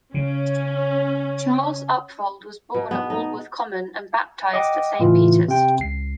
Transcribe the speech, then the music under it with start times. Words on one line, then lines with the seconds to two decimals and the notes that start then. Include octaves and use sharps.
Charles Upfold was born at Walworth Common and baptised at Saint Peters.
0.14 C#3 C#4
2.74 B2
2.91 B3
3.10 D#4
4.53 D#5 F#5 G5 D6
4.99 A2 C#3 E3 F4
5.48 C3 G5
5.79 C#2 C7